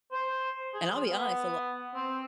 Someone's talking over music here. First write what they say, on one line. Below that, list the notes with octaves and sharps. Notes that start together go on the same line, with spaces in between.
And I'll be honest, a lot
C5
G#4
F3
B3
C4